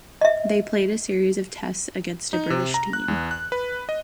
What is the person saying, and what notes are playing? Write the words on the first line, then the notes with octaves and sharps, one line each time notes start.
They played a series of Tests against a British team.
D#5 E5
D#4
C3
A#5
F#6
E2
F#6
B4
D#5